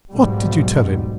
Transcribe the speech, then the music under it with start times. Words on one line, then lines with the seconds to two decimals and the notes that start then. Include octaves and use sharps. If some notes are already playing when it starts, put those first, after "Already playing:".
"What did you tell him?"
0.10 B1 G#2 G3